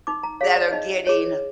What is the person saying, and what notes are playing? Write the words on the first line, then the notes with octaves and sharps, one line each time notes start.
that are getting
D#4 D6
A#5
G#4 C#5 F5
D5
D#4 D#5
G#4 C#5